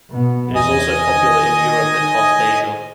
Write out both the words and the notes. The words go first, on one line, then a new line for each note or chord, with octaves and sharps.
It is also popular in Europe and parts of Asia.
B2 B3
E2 D#5 G#5 D#6
D#3